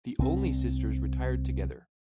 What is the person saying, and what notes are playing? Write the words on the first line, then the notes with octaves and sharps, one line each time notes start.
The Olney sisters retired together.
C2 C4